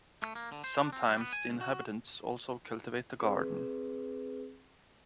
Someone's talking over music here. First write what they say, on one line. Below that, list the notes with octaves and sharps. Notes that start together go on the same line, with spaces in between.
Sometimes the inhabitants also cultivate a garden.
A3
A#3
D3
C5
D4
C4
G3
B3
G#5
C#2
F#4
C4 G#4 B4